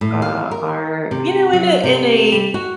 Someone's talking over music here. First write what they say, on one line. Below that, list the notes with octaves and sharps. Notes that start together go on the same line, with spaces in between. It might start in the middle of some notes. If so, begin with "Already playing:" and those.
uh, are, you know, in a, in a
A2
F5
A#4
C3
F#3
C3
G3
F#4